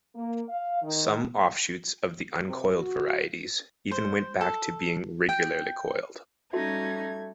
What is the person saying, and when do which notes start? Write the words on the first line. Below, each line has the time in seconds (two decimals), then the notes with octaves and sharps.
Some offshoots of the uncoiled varieties even went back to being regularly coiled.
0.15 A#3
0.49 F5
0.82 D#3
2.45 C3
2.75 F#4
3.91 C5
4.41 A4
5.29 G5
6.53 G3 A3 C#4 D#4 F#4 G#6